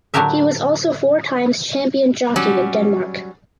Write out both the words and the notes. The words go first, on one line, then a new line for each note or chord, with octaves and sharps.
He was also four times champion jockey of Denmark.
A2 D3 F#3 G4 A#4 E5
F#3 G3 C#4